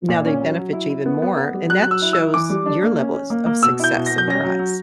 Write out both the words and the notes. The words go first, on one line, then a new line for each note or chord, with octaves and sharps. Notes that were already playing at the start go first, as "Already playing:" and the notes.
now they benefit you even more, and that shows your levels of success in their eyes.
A#2
C#4
F#3
F#3
E4
E4
B3
B3
B3
G3
F#3 F#6
F#3 F#6
E6
E4
E6
E4
E3 D6
G3
D4
A#3
C#4
C#4
A#3
A#3
B2 E6
E4 G6
B2
B2 A#6
G6
C#4 A#6
F#3
F#3